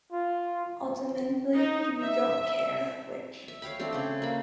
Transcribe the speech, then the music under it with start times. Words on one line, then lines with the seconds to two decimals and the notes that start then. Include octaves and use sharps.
Ultimately, you don't care which.
0.12 F4
1.56 D#4
2.00 E5
3.48 E5
3.62 C#5 F5 G5 B5
3.80 A3 C4 D4
3.93 C#3 C5
4.22 A#3 B5